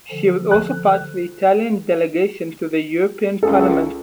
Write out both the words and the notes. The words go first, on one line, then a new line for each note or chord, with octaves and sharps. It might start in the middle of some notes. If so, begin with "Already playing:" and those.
She was also part of the Italian delegation to the European Parliament.
D3 F3
F#6
C#2 G#4 A4